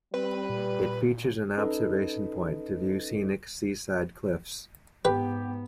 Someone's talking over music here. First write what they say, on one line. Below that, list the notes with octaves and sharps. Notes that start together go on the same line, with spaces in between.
It features an observation point to view scenic seaside cliffs.
G3 C4 B4
A#2
C#4 D#4 A4 B4 D#5
G#2 B3 G4 B4